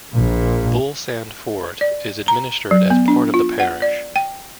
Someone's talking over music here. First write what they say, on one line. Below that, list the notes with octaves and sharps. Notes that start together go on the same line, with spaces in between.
Bull Sand Fort is administered as part of the parish.
A#1 A#2
D5
A#5
F#3
B3
D4
F4
F#5
D5
G5